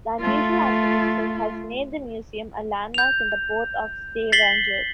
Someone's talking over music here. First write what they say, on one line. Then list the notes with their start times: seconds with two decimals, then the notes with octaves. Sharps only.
The unusual architecture has made the museum a landmark in the Port of Stavanger.
0.21 A3 F4
2.94 G6 F7
4.32 A6 B6 C7 F#7 G7